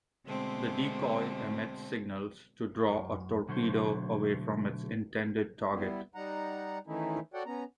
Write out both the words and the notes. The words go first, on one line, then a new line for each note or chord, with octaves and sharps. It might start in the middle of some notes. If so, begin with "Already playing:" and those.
The decoy emits signals to draw a torpedo away from its intended target.
B2 D3 G#3 A3 C4
F#2
B2 D3 F#3 A3 C5
G3 B3 E4
G3 D#4 F#5 A#5
D#3 E3 A3 C#4 D#4 E4
F#4 A4 C#5 D5 F#5 G5
B3 C#4 A#5